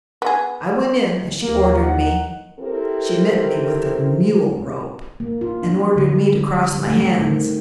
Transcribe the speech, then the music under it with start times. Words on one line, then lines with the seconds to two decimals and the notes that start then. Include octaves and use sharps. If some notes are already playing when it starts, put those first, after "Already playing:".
I went in as she ordered me; she met me with a mule-rope, and ordered me to cross my hands.
0.22 B3 G#4
1.42 D#2 A#3
1.82 D#4 F#5
2.60 C4 E4 G4 A4 A#4 C5
5.20 A#3
5.41 F4
5.62 D4
5.96 D3
6.35 G3
6.69 G3
6.87 A3
7.02 C4
7.19 D#3